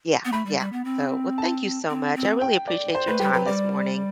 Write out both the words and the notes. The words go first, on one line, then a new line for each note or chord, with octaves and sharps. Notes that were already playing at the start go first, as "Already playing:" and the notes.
Yeah, yeah. So, well, thank you so much, I really appreciate your time this morning.
B3
A3 B5
G3
G3
B3
C4
A5
C4
C4
G5
D5
C5
A3 B4
G3 G4
F#3 B4
G3 D5